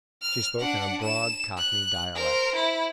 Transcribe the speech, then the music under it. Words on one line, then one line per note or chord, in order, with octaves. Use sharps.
She spoke in a broad Cockney dialect.
F6
D4 F#5
E7
F#6
A#4 C5
E4